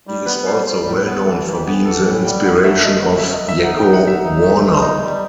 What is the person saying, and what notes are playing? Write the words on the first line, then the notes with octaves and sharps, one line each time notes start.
He is also well known for being the inspiration of Yakko Warner.
G3
B3 B4
G3 C5
G3 C5
A2
B4
B3
E3 A4
E3
G4
B3
E3 A4
A2 F#5
G3 G5
F#2 F#5
A3 E5
F#2 D#5
F#2 F#5
E5
F#2
D#5
F#2 E5
D#4 F#5
F#2 G5
F#5
D#4 E5
D#4
A3
D#4
E2 D#5
G3